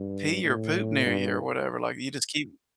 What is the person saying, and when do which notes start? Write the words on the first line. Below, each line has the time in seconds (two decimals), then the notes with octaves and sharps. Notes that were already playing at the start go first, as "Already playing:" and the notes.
pee or poop near you or whatever?" Like, you just keep
Already playing: G2
0.44 A2
1.06 G2